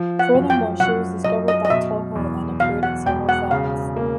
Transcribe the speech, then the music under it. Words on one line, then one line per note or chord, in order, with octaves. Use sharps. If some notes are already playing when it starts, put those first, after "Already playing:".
Furthermore, she was discovered by Toho and appeared in several films.
Already playing: F3
F#5
F#2
G5
F#2 F#5
F#2 D#5
D#5
D#5
B2 E5
E2
B2 F5
F#5
E1 G5
F#5
C#3 F5
A#3